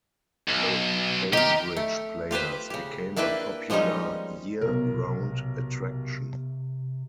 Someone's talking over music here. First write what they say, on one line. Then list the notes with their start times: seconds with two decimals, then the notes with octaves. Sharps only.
The Bainbridge Players became a popular year-round attraction.
0.49 B1
1.33 D#3 D#4 G4
1.76 A3
2.31 F4 G4 B4 C5
2.70 C#3 G4
3.17 A#3 D4 E4 B4 G5
3.70 F3 G3 G#3 C#4 D#4
4.61 B1 C3 A#4